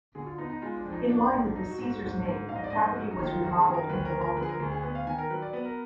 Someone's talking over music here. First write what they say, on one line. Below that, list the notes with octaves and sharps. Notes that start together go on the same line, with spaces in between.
In line with the Caesars name, the property was remodeled with a Roman theme.
D3 G#4
F#4
F4
B3 D#4
D#4
G#3 F4
D4
F2
D#4
B3 D4
G#2
D4
F#3 D#4
F#4
G#2
F#4
G#2
G#2
G#2 F5
D#5
D5
G#2 D#5
F#2 F#4
D#4
D#3
F4
F#2 F#4
G#4
D#3
A#4
D2 B4
A#4
F3
A#4
D3 B4
G#4
A#4
D2 G#4
G#4
B3 B4
F5
D#3 G#5
A#4
F#3 B4
D5
B3 B4
A#4